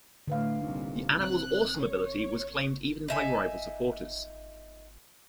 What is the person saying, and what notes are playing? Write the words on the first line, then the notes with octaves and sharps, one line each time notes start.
The animal's awesome ability was claimed even by rival supporters.
A2 D3 A3 B4 F5
C2 A#2 D#4
C4 F#6
C#5
D#4 E5 G#5